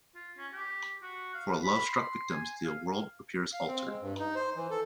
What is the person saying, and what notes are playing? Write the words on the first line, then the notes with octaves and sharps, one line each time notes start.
For love-struck victims, the world appears altered.
F4
C#4
G4
F#4
F5
B5
C6
G#5
F5
F5
C4
G#3
G2
D#4
C5
E3
A4